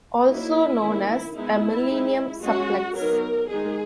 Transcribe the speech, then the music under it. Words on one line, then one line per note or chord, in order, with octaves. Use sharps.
Also known as a Millennium Suplex.
F#3 A#3 D#4 E4
D#3 A#3 C#4
G#3 B3 D#4 E4
G#3 D#4
G#3 C#4 F#4
F#3 B3 D#4 A#4
D#3 G#3 D#4 G#4